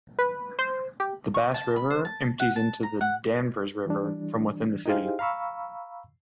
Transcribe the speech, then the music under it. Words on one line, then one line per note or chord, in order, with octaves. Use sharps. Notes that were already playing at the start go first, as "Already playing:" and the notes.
The Bass River empties into the Danvers River from within the city.
B4
C5
G4
C#6
A5
B5
C5
A5
F#5
A5
A#5
F#5
E3 G3 D4
D#4 E4 G4 G#4 C5 F5
F5 A#5 B5 C#6 E6